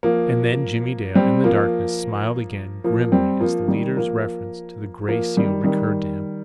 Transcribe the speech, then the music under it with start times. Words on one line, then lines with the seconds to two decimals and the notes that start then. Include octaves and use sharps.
And then Jimmie Dale, in the darkness, smiled again grimly as the leader's reference to the Gray Seal recurred to him.
0.03 F3 A#3
1.15 G3 C4
1.44 F3 A#3
2.84 F3 A#3
3.12 G3 C4
3.40 F3 A#3
3.68 D#3 G3
3.97 F3 A#3
5.08 F3 A#3
5.37 D#3 G3
5.64 D#3 G3